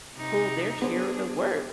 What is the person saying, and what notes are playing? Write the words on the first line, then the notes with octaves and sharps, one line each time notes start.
pull their share of the work,
C3 D#4
B3 D4 G#4 C5